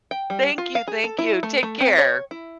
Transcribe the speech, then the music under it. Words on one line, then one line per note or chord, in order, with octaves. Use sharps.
Thank you, thank you, take care.
G5
G3
F4
F5
G#4
A4
E4
A3
A3
C4
C#5
E4